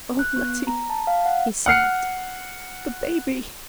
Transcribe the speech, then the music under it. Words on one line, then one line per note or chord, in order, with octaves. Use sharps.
"O Letty!" he sobbed--"the baby!"
F#6
B3
A#5
A5
F5
F#5
F#5 F6 C7 C#7